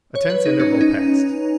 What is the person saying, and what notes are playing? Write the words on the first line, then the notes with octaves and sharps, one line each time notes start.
A tense interval passed.
C#5
B4
D#4
C#4
D#4